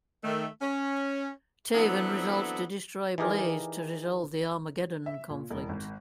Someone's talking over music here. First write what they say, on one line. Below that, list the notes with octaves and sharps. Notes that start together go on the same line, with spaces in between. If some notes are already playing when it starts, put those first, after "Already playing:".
Taven resolves to destroy Blaze to resolve the Armageddon conflict.
D#3 A3
C#4
E3 F#3 B3 C4 D4 A4
E3 D#4 G4 G#4 A#4 D5
E5
A#2
E1
G#1